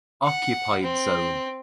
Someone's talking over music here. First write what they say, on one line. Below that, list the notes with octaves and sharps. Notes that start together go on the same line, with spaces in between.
Occupied Zone.
F#5
C4